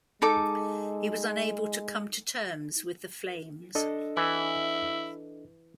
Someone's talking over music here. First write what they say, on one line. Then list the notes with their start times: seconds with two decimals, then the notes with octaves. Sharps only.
He was unable to come to terms with the Flames.
0.22 G#3 D#4 A4 D6
3.75 D4 A4 D#5
4.17 E3 E4